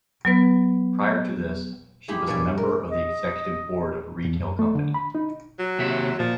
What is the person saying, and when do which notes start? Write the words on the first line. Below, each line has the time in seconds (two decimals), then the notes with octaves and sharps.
Prior to this she was Member of the Executive Board of a retail company.
0.25 F#3 B3 B4
2.08 G#3 E4 G4 G#4 B5
2.27 G2 B2 C#4 D5 E5 G#5
2.58 A#4
2.91 D#5
4.25 E2
4.40 F#2
4.59 A3
4.75 D3
4.94 B5
5.15 D#4
5.59 F#3
5.79 D#2 C3 E5
6.19 A#2 F3